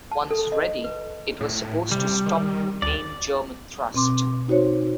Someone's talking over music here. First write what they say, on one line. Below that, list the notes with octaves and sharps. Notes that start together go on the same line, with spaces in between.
Once ready, it was supposed to stop the main German thrust.
A5
A4
D#5
B4
A2
C3 G3
D#3
D2 D5
B2 C4 C6 D6
D#4 F#4 C5 C#5